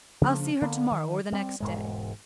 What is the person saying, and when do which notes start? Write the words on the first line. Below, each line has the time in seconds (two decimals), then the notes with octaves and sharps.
I'll see her to-morrow or the next day.
0.21 C#3 F3 A#3 D4
0.61 D3 A#3 B3
0.91 D#3
1.32 G3 C4
1.60 E1 G#2 G#3